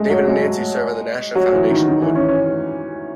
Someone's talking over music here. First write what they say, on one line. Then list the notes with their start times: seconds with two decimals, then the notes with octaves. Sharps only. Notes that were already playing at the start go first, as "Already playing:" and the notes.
David and Nancy serve on the Nasher Foundation Board.
Already playing: G#3 A3
0.10 F#3
0.28 G#3
1.35 F#3
1.52 E3
1.70 D#3
1.89 D#3
2.02 E3
2.15 C#4
2.28 C#4